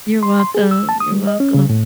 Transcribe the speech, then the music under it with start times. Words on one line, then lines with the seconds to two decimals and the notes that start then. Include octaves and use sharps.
You're welcome. You're welcome.
0.23 C6
0.40 C6
0.55 G#4
0.71 E6
0.89 A5
1.00 D#6
1.12 G3
1.27 D#5
1.40 C#4
1.54 C#3
1.70 A2